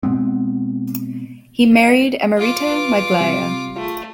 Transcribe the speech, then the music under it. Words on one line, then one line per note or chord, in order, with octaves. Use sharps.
He married Emerita Maglaya.
B2 G#3 B3 C4
F4 D6
B4
C3 G3 C4
A3 F4 G#4